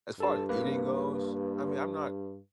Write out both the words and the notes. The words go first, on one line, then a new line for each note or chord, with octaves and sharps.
As far as eating goes, I mean, I'm not
G2 A4 A5
A#3 B4